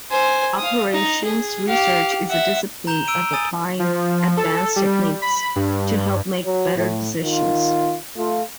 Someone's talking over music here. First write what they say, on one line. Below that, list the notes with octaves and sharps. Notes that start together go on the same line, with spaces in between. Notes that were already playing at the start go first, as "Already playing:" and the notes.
Operations research is a discipline of applying advanced techniques to help make better decisions.
C5 G#5
F5 D#6
D#4
G#4
G4 F5
E5 F#5
A#5 G6 E7 F7 G7
E6 D7 D#7
G#5 D#6 A6
F3
A4
G3
B5
G2
F#3
A2
D#3 F4
A3 F4